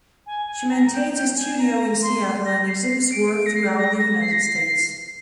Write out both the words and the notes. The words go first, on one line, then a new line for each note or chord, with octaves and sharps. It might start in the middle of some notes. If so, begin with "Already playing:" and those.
She maintains a studio in Seattle and exhibits work throughout the United States.
G#5
G#5
A#5
G5
G5
G#5
A#5
C6
A#6
C7
C7
D7
D7
A#6
C7
A#6
A#6
C7
A#6
C7
C7